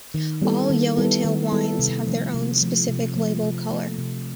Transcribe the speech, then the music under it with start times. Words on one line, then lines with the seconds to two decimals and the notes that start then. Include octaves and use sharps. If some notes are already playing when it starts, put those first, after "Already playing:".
All Yellow Tail wines have their own specific label color.
0.14 D#3
0.42 G3 B3 E4 A4
0.70 D#3
0.97 G3 B3 E4 A4
1.24 D#3
1.52 G3 B3 E4 A4
1.79 C3
2.07 F3 A3
2.34 C3
2.62 F3 A3
2.89 C3
3.16 F3 A3
3.43 C3
3.70 F3 A3
3.98 C3